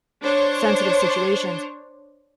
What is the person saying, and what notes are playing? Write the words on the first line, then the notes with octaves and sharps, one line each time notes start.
sensitive situations.
D4 C5 C#5